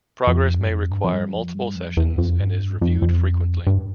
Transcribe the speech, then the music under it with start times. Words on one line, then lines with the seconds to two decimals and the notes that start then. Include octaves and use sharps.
Progress may require multiple sessions and is reviewed frequently.
0.27 F2
0.59 G2
0.69 F2
0.91 G2
1.04 F2
1.13 G2
1.33 F2
1.55 G2
1.76 F2
1.97 E2
2.18 F2
2.40 G2
2.81 F2
3.02 F2
3.67 G2